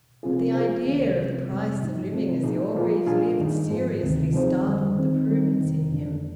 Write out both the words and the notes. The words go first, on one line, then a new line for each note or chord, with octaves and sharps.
But the idea of the price of living as the Orgreaves lived seriously startled the prudence in him.
C3 F3 C4 F4 G#4
F3 A#3 F4 G#4 C5
C2 C3 D#3
C3 F3 G#3
F2 C3 G3
G#2 F3 A#3 D#4
C3 F3 C4
A#2 F3 A#3 D#4 G#4
F3 A#3 F4 G#4
A#2 G#3 D4 F4 G#4
G2 D#3 A#3 D#4 G#4
G#2 F3 G#3
D2 C3 D#3
F3 C4 D#4 G#4 C5
F2 D3 G3
D#3 G#3 C4 D#4
D#3 G3 C4 D#4
F2 C3 D#3
F2 D3 G#3 D4